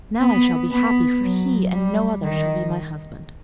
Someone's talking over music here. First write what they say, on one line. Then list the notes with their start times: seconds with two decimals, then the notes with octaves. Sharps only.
Now I shall be happy, for he and no other shall be my husband.'
0.20 B3
0.71 B3
1.22 F#3
1.72 G3
2.23 D#3